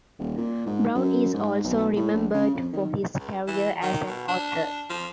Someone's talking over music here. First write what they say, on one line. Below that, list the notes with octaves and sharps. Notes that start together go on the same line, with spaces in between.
Brown is also remembered for his career as an author.
D#1
A#2
G#2
F#2
G#2
B1
A2
A#1
C#3
F2
D#3
C#2
E3
D#3
B2
D4
F3